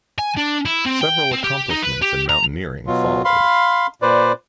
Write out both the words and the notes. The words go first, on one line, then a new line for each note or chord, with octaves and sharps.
Several accomplishments in mountaineering followed.
G#5
D4
E4
C4
G5
C4
G4
D#4
B4
G4
A#5
B2 F#3 F4
F5 B5 C6
A#2 B4 C5 D5